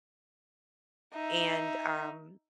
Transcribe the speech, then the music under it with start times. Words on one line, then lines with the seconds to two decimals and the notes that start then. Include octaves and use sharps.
and, um,
1.14 D#4 E5